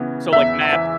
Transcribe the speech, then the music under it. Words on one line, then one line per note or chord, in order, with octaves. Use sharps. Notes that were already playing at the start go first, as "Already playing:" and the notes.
So, like, map
Already playing: C#3 E3 B3
E2 E5
E3